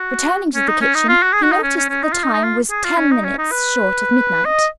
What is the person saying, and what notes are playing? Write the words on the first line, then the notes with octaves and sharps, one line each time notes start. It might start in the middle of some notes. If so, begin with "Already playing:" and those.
Returning to the kitchen, he noticed that the time was ten minutes short of midnight.
Already playing: F#4
C#4
D#4
C#4
D#4
F4
F#4
G#4
F#4
D#4
C#4
C#4
C#4
D#4
F4
D#4
D#4
F4
G#4
F4
C#4
D#4
C#4
D#4
B4
D#5